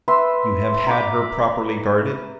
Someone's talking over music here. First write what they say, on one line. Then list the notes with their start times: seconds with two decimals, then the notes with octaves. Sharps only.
"You have had her properly guarded?"
0.08 B4 E5 C6 E6
0.87 A#5 B5 D6